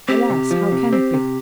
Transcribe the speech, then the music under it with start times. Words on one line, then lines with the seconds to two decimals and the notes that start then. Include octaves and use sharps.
Alas, how can it be?
0.08 C4 G4
0.30 C3
0.51 F3
0.72 C3
0.93 C4
1.14 C3